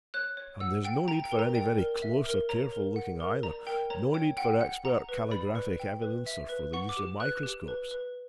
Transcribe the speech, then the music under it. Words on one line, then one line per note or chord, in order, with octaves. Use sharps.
And--there's no need for any very close or careful looking, either!--no need for expert calligraphic evidence, or for the use of microscopes.
C#5 F#6
C#5
F#5 E6
F#5 G5
G5 A#5
G5
A#4
A#5
D5 G5
A#4
E5
A#4
C#5 A#5
A#4
F#5
A#4
D5 A#5
A#4 G5
C#5 A#5
C#5 G5
F#5 G5
F#5
F#5 A#5
B4
D5 B5
B4
G5
B4
E5
B4
F#5 C#6
D6
G4
B4 F#6
G4
B4
B4